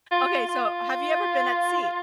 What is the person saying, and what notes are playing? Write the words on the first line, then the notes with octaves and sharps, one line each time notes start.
Okay, so have you ever been at sea?
F4
F4